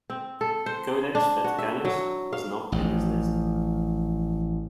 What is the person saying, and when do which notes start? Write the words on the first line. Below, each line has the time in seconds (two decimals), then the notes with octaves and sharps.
Codex Vaticanus was not in this list.
0.10 C4
0.41 A4
0.66 C5
1.15 D4
1.44 F#4
1.58 E5
1.85 F#3
2.33 F5
2.72 A1 F3